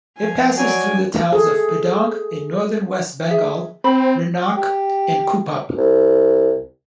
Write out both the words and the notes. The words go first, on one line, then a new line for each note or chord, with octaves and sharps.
It passes through the towns of Pedong in northern West Bengal, Rhenok, and Kupup.
F3 G#5
F#3 D5 G#5
G#4 A4
G#4 E5
C4 B5
G4
C2